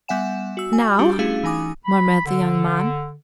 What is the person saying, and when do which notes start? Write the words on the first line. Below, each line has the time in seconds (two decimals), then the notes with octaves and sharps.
"Now," murmured the young man.
0.08 G3 B3 E5 F#5 G#5 E7
0.57 F#4 E6
0.73 G#5
0.99 G3 D4 F#4 G4
1.19 A3 C#4 E4 F#4 G#4 F5
1.43 E3 D#4 G#5 D6 D#6
1.85 B5
2.26 D3